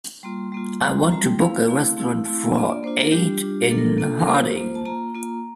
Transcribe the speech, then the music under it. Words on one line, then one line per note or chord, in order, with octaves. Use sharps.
I want to book a restaurant for eight in Harding.
G3 A#3 F4 C6
G3 A#3 F4
G3 C4 F4
A#5
G3 C4 F4 A5
G5
A3 C4 E4 F5
A3 C4 E4
A3 C4 E4
A3 C4 E4
A#3 D4 F4 E5
D5
A#3 D4 F4 C5
A#4
G3 D4 F4 G4
G3 D4 F4
A#3 D4 F4 A4
A#4
A4
A#3 D4 F4
A#4
A#3 F4 C5
A#3 F4
A5
A#3 F4 A#5
A#3 F4